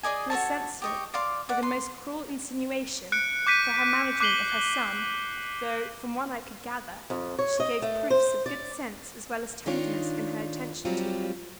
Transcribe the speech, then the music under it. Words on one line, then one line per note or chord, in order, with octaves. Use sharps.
She was censured, with the most cruel insinuation, for her management of her son, though, from what I could gather, she gave proofs of good sense as well as tenderness in her attention to him.
G#4 D5 D#5 G#5
F#4 A4 C#5 A5
G4 D#5 C#6
D5 F5 C6 D6
D5 F#5
C6
F#6 C#7 D7
D6 G6 B6 D#7
D6 F#6 C7 F#7 G7
F2
C#5
D#5
A3
C5
D5
D#3 D4 D#4 F4 C#5
F#3 G3 C4 F4 G4